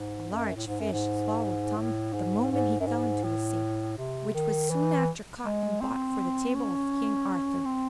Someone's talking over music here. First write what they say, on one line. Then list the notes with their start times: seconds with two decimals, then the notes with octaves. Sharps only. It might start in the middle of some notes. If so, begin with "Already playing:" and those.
A large fish swallowed Tom the moment he fell into the sea, which was soon after caught and bought for the table of King Arthur.
Already playing: G#2
0.31 F#2
0.56 A2
0.67 G#2
0.80 F#2
0.92 G#2
1.77 A2
2.13 G#2
2.51 G#2
2.80 F#2
2.87 G#2
3.24 A2
3.98 C3
4.34 D#3
4.70 E3
5.44 G#3
5.81 C4
6.55 C#4
7.65 C4